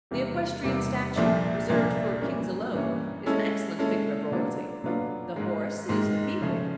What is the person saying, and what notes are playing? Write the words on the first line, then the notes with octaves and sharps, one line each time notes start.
The equestrian statue, reserved for kings alone, is an excellent figure of royalty: the horse is the people.
E2 C3 D#3 G3 A#3
E2 C3 D#3 G3 A#3
C2 A#2 F3 A3 D4
C2 A#2 F3 A3 D4
G2 E3 G3 A#3 C#4
G2 E3 G3 A#3 C#4
G#3 C#4 E4 A4
G#3 C#4 E4 A4
D3 F#3 B3 D4 F4
D3 F#3 B3 D4 F4
G#2 D#3 G#3
G#2 D#3 G#3
C#3 F3 A3 C#4